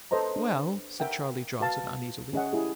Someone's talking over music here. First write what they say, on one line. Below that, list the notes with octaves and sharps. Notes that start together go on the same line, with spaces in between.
"Well--" said Charlie Johnson uneasily.
A4 B4 C5 D#5 A#5
D4
A#4 E5 F#5 G5
F#4 B4 F5 A5
C#4 G#4 D#5 E5 F#5
E4 G4 G#4